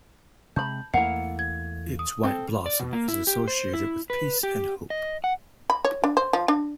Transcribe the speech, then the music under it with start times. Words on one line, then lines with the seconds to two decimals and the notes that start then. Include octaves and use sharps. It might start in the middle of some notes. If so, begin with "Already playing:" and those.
Its white blossom is associated with peace and hope.
0.56 C3 G#3 A5 B5 G6
0.94 E2 A3 A#3 E4 F5 F#5 C#7
1.39 G#6
1.99 D#6
2.23 C4 A4
2.66 D5
2.80 B2
2.93 A#3
3.08 E4
3.27 G4
3.48 C5
3.74 E4
4.10 B4
4.43 G4
4.90 D#5
5.24 F#5
5.70 B5
5.85 C#5
6.04 D4
6.17 C5
6.33 F3
6.48 D4